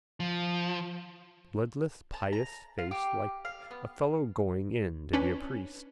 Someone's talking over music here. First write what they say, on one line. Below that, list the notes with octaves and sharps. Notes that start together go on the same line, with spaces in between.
Bloodless pious face like a fellow going in to be a priest.
F3
A5
A#5
F4
G4
F5
B3
C#4 D4 B4